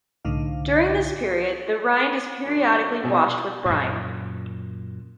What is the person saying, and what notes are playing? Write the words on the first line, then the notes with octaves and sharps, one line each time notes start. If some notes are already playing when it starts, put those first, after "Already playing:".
During this period, the rind is periodically washed with brine.
C2 A2 D3 D#4 F5
F#2 A#2 D4
B2 C#4 D4 E5
F#2 A#2